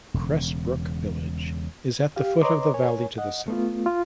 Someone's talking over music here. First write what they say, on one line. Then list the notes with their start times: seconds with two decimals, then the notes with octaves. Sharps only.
Cressbrook village is at the foot of the valley to the south.
0.14 E1 C#3
2.16 G4 F5
2.41 B4 C#5 D#5 A#5 C6 D6
2.74 A#4 C#5 G#5
3.18 D#5 F#5
3.48 A3 B3 F4
3.86 F4